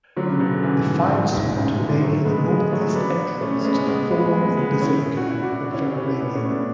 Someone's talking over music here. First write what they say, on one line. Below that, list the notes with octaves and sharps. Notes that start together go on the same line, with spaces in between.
The find-spot lay near the north-east entrance to the forum and basilica of Verulamium.
D3 F#3
C#3
B2 D3
C#3 E3
G#2
A2
G#2 B2
A2 C#3
B2 D3
F#3 A3
G#3 B3
G#3 B3
F#3 A3
B3 D4
A3 C#4
C#4
G#3 B3
G#3 B3
G#3 B3
G#3 B3
G#3 B3
C#4 E4
F#4
E4
D4 F#4
C#4 E4
C#4 E4
B3 D4
A3 C#4
B3 D4